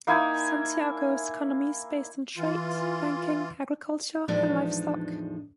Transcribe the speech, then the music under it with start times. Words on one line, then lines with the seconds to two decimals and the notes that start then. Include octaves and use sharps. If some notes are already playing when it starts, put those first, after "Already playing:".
Santiago's economy is based on trade, banking, agriculture and livestock.
0.07 A#3 D#4 E4 G#5
2.37 E3 F4
4.28 E2 A2 F3 G#3 D4 D#4